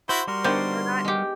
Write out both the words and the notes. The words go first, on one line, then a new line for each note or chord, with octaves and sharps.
Or not
E4 F#4 C5
G3 F#4 A#4 C6
D3 D#3 B3 C5 D5
G#3 G4